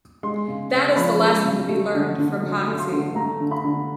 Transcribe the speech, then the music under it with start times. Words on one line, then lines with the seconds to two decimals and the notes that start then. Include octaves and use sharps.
That is the lesson to be learned from Hoxie.
0.23 G#3 C6
0.48 C#3
0.72 C#3
0.96 F3 B5
1.21 G#3
1.45 C#3
1.69 A3
1.94 D3
2.18 D3
2.42 F#3
2.66 A3
2.79 C6
2.91 D3
3.15 A3 A#5
3.40 D3
3.51 B5
3.64 D3